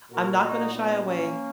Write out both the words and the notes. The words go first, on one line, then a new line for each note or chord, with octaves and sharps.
I'm not gonna shy away
A#2 F#4 A#4
D#4 F#4
B3 D#4
A#3 C#4